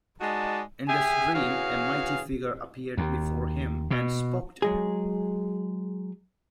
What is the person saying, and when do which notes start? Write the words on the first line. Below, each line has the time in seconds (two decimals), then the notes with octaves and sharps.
In this dream, a mighty figure appeared before him, and spoke to him.
0.21 G#3 D#4 F#4 D5 A5
0.87 G4 G#4 E5 G#5
1.35 E3 C#4 F#4 G#4 F5
2.97 D#2
3.91 B2
4.62 F#3 G#3 G#4